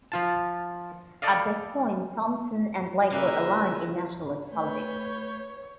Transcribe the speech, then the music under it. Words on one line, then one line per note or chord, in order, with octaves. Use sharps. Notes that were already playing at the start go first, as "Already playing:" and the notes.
At this point Thomson and Blake were aligned in nationalist politics.
F3 F4 A5
A4 D5 D#5 F5
C#3 A#3 B4 D#5 E5
A3 B4 C#5 G6